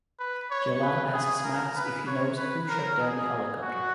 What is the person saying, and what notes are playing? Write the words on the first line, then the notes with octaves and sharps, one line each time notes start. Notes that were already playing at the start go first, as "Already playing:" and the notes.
Jalal asks Max if he knows who shot down the helicopter.
B4
C#5
B4
G#4
A#4
B4
C#5
B4
A#4
G#4
F#4